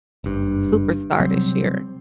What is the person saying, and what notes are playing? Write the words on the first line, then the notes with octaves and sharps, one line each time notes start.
superstar this year.
F#1 G2
C3 F#3 G3 C4